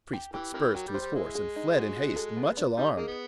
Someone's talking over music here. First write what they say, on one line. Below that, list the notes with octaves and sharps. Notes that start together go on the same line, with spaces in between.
The priest put spurs to his horse and fled in haste, much alarmed.
G4
E3 G4
C3 E3 A#4
F#3 G4
G3
C5
G3
G#3 E4
G#4
D#4
F#4
F#4
A4
B3
D4
G3 D#4
A#3 G#4
B3